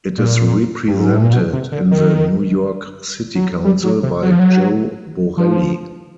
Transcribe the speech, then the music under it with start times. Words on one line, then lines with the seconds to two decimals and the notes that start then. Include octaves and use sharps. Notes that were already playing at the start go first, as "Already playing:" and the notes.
It is represented in the New York City Council by Joe Borelli.
0.18 A#2
0.87 G2
0.99 G#2
1.11 A2
1.22 A#2
1.33 B2
1.53 C3
1.72 D3
1.91 D#3
3.35 F#3
3.64 G3
3.83 F#3
4.03 C3
4.22 F#3
4.31 F3
4.39 F#3
5.37 F3